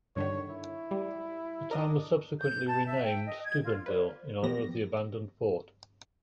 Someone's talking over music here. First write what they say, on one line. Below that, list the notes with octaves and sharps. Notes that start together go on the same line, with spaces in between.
The town was subsequently renamed Steubenville, in honor of the abandoned fort.
G2 D3 D#3 C#5
E4
G3
D4 A#4 D#5 D#6
G6
A5
E5
G5
D#5
G#6
F4
B4 C5 D5
E2 F3 A3 B3 G4 A#6